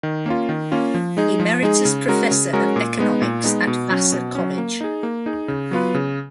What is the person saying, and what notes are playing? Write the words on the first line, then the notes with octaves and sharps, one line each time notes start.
Emeritus Professor of Economics at Vassar College.
D#3
A#3 C#4 F4
D#3
A#3 C#4 F4
F3
G#3 D#4 G#4
F3
G#3 D#4 G#4
C#3
G#3 C#4 F#4 A#4
C#3
G#3 C#4 F#4 A#4
A#2
G#3 B3 D#4
A#2
G#3 B3 D#4
B2
F#3 C#4
B2
F#3 C#4
A#3
D#4 G#4
A#3
D#4 G#4
C#3
F#3 B3 F4 B4
C#3